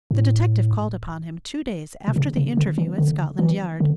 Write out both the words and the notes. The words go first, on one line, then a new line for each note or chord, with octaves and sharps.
The detective called upon him two days after the interview at Scotland Yard.
A2
B2
C#3
C#3
D3
E3
D3
E3
D3